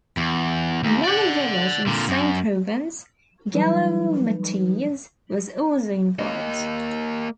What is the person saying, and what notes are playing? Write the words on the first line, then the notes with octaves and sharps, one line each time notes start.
Another village in the same province, Gallo Matese, was also involved.
E2
D#2
D5 F#5
A#2 D3
F#2
E3 F#3 G3 D#4 B4
A#3 D#5